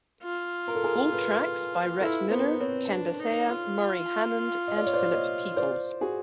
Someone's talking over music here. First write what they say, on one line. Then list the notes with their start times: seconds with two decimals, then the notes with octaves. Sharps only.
All tracks by Rhett Miller, Ken Bethea, Murry Hammond and Philip Peeples.
0.23 F4
0.68 A#4
0.75 A4
0.83 G#4 A#4
1.12 A4 B4
2.01 E4 A4 B4
2.30 B3 A#4 C5
2.60 C4 B4 C#5
2.89 D4
3.20 D#4
3.50 F4
4.68 D#5
4.77 D5
4.86 C#5
4.93 C5 D5
5.12 C#5 D#5
5.56 C5 D5
6.01 F#4 G#4